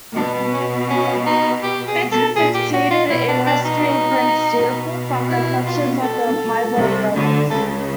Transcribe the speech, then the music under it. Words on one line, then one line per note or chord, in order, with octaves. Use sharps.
Fitz has succeeded in rescuing Prince Dutiful from the clutches of the Piebald rebels.
B2 D4
B3
C#4
C#4
D#4
G4
G#4
A4
A#2 G#4
G4
F#4
F4
B2 E4
D4
D4
D#4
B2
E4
F4
A4
C2 C3
D2 D3
C#2 C#3 A4